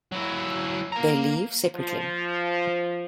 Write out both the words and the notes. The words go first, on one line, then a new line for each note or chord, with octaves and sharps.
They leave separately.
F#3 E4
A#3 A#5
F3